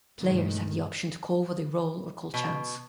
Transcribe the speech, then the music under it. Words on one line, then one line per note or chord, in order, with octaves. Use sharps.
Players have the options to call what they roll or call chance.
G2 B2 D#3 G#3 A3
B2